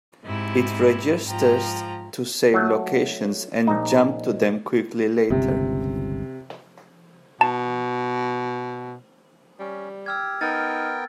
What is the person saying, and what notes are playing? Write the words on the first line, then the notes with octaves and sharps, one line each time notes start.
It registers to save locations and jump to them quickly later.
G#2 C3 E4
G#2 F3 G5 A#5
F#3 A3
A#1 D#4
G1 C#2 C3
B2 A5
G3 C#4
G4 E6 F6 G#6
B3 D#4 A#4 G5 A6